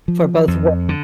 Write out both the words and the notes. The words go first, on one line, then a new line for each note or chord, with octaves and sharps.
for both work
F3
F2
D3